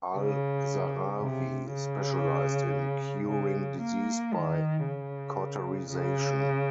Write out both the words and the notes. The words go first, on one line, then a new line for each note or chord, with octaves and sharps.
Al-Zahrawi specialized in curing disease by cauterization.
C#3
C3
C#3
C#3
A#3
D#3
C#3
C#3